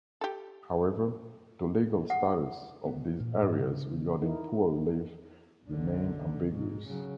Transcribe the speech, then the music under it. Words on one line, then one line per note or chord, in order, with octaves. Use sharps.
However, the legal status of these areas regarding poor relief remained ambiguous.
G4 A4
F#5
B3
A#2
G#2
C#3
D#4 E4 A#4
B1 D3
G#2
C#3 F#3